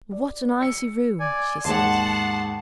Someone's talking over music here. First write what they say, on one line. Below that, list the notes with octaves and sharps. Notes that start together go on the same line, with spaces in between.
'What an icy room!' she said.
D5
E6 C#7
D5 G#5
D#2 G#2 F#5 A5 C6